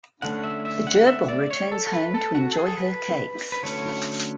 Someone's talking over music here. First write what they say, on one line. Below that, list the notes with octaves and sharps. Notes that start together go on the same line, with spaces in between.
The gerbil returns home to enjoy her cakes.
D3 A3 C#4 F#5
E5
E5
F#5
E5
D5
C#5
A4
A4
B4
A4
F#4
A4
G#4
A4
B4
B4
D3 F#3 A3 C#4 C#5